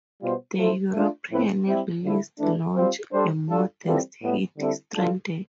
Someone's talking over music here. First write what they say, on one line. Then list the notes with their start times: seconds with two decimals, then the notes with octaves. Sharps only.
The European release launched a modest hit, "Stranded".
0.20 B2 G3 B3 F4 C5
0.56 F3 A3 E4 A4 C5
0.93 A3 D4 F4
1.30 A2 F3 C4 E4 B4
1.66 G3 C4 E4
2.03 D3 F3 A3 E4
2.39 E3 A3 D4
2.76 G3 C4 F4 C5
3.12 G3 D4 A4 C5
3.48 G3 D4 F4 A4
3.84 E3 G3 C4 F4 A4
4.21 A2 G3 B3
4.58 D3 G3 C4 E4 A4
4.94 E3 G3 D4 F4 A4